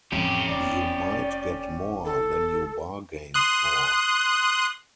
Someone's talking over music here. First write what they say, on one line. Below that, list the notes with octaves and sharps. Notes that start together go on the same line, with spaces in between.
You might get more than you bargained for.
A1 F2 C#4 G4
F1 D5
A4
C6 D#6 F#6